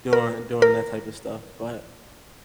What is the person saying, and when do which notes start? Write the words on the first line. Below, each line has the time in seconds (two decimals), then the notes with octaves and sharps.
doing doing that type of stuff, but
0.13 A#4
0.62 A#4